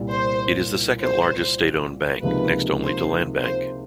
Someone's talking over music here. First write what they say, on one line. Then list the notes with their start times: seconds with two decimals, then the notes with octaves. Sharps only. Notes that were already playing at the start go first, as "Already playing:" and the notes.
It is the second-largest state-owned bank, next only to Landbank.
Already playing: C2 A#2 G3
0.12 C5
1.02 C5
2.22 C#2 C3 F3 A#3 D#4 B4
2.82 C5
3.43 C5